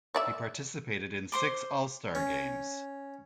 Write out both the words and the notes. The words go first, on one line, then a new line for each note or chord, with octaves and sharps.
He participated in six All-Star games.
C#5 D5 E5
C5 C6 D6
C#4